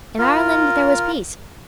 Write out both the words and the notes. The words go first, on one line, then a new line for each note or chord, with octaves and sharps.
In Ireland there was peace.
F4 A#4